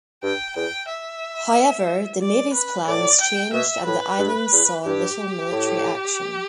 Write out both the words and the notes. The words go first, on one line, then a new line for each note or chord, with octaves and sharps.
However, the Navy's plans changed and the island saw little military action.
G2 G5
E2 G5
E5
D5
B4
A2 D5
G5
B2 E5
A2 B4
G2
E2
G2 G4
A2